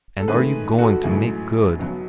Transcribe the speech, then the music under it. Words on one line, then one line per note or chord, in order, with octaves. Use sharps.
And are you going to make good?
A4
G#2 D#3 A3 C#4 G#4 B4
F#4 A4
A1 G#2 F#3 A3 C#4 E4 G#4
B1 B2 F#3 B3